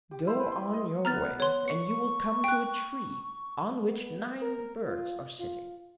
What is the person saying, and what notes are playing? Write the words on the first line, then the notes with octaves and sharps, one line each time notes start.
Go on your way, and you will come to a tree, on which nine birds are sitting.
G4
E4 C5
B4
C6
D#5
B3 A#5 F6 A6
C#5 C6
C#6 C#7
G5 F#6
B3
A#4
F4
F4